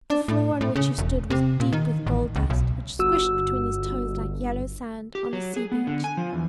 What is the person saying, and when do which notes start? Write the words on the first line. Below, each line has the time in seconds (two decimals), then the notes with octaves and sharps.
The floor on which he stood was deep with gold dust, which squished between his toes like yellow sand on a sea beach.
0.10 D4
0.28 A2
0.61 A2
0.76 C#3
0.98 E1
1.30 C3
1.60 A#2
1.73 D#3
2.07 A1
2.36 C#2
2.50 B1
2.99 G1 F#4 E6
5.15 G4
5.33 F#3
5.56 G#4
5.72 B3
5.87 D3
6.04 G#5
6.17 F3
6.33 E2